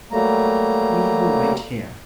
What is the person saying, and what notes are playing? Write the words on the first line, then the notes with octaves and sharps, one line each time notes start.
"We will wait here."
F#3 G3 A3 A#3 A#5